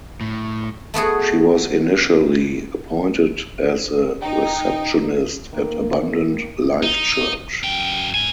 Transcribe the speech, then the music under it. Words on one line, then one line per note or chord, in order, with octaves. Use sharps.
She was initially appointed as a receptionist at Abundant Life Church.
A2
A3 B3 F#4 G#4
D#4 G5
D#3 A#3
D#4
F#2 G5
G#2 G#5